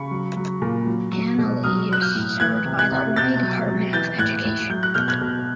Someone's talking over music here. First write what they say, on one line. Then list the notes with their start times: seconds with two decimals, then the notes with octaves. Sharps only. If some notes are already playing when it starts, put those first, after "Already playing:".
Hanalei is served by the Hawaii Department of Education.
Already playing: C#3 B5 C#6
0.11 F#3
0.37 F#3
0.62 A#2
0.87 F#3
1.12 F#3
1.38 B2
1.63 F#3 D#6 F6
1.89 F#3 F#6
2.02 F6 G6
2.15 A2
2.40 E3 F#6 G#6
2.66 C3
2.79 F#6 G#6
2.92 C3
3.16 B2 G6 A6
3.43 F#3
3.68 F#3
3.93 E3 G6 A6
4.19 A2 F#6 G#6
4.45 A2
4.70 F#3 G6
4.83 F#6
4.94 B2 F6 G6
5.08 F#6 G#6
5.21 B2